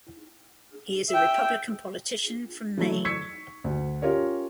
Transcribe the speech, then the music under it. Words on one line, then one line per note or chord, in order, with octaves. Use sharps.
He is a Republican politician from Maine.
E5 G5
E3 F#3 A3
C#6 E6 G#6 B6 C#7
D2
C#4 F4 G4 A#4 C#5